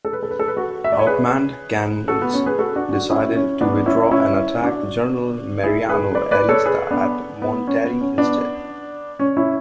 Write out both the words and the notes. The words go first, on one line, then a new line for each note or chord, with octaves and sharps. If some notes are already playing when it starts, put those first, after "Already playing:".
Outmanned, Canales decided to withdraw and attack General Mariano Arista at Monterrey instead.
A4
B4
A4
B4
A4
B4
F#4 A4
E5
D5
C#5
G#4 B4
F#4 A4
B3
C#4
G#4 B4
F#4 A4
D4 F#4
D4 F#4
C#4 E4
C#4
B3 D4
C#4 E4
C#4 E4
D4 F#4
E4 G#4
G#4 B4
B4 D5
B4 D5
A4 C#5
G#4 B4
B3 D4
B3
C#4
B3
C#4
B3 D4
C#4
C#4 E4